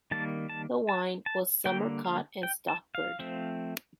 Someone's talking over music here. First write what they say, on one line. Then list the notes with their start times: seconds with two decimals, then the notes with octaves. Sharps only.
The wine was summer caught and stoppered.
0.11 D#3 G3 A#3 A5
0.49 A5
0.89 A5
1.26 A5
1.66 D3 G3 A#3 G5
2.05 F5
2.43 G5
2.68 A5
2.95 F5
3.19 F3 A3 C4